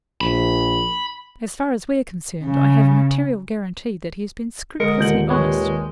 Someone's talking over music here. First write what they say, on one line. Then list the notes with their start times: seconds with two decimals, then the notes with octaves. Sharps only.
As far as we are concerned, I have a material guarantee that he has been scrupulously honest.
0.21 A#1 B5
2.43 C#3
4.80 D3 G#3 A#4 D#6 C#7
4.99 D#1 D3 G6 F#7
5.30 D#3 G#3 G4 B4 C#5